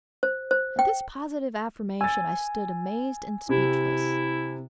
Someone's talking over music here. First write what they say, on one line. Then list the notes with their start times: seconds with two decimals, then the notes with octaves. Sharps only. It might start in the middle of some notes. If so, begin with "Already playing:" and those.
At this positive affirmation I stood amazed and speechless.
0.23 C5
0.51 C5
0.79 G5
2.01 G#5 E6 A6
3.49 C3 E4